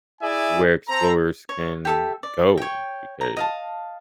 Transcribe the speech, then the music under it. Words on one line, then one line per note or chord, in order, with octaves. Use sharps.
where explorers can go becau
E4 G#4 D5 E5 G#5
C4 A4 A#5
C#5
G4 A4 E5
D5
C#5 G5
A#5
D#5 F5 A5